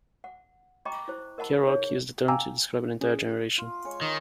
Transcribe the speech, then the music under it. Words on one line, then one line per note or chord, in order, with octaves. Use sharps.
Kerouac used the term to describe an entire generation.
F#5
D#5 G5 A#5 B5 C#6 D6
E4 C5
A#4 D#5 F#5 A5 B5
D#4 G#4 C#5
F5 G5 G#5 A#5 D6 E6
C#4 G#4
F4
G#3 C#5 G#5
D#3 D#4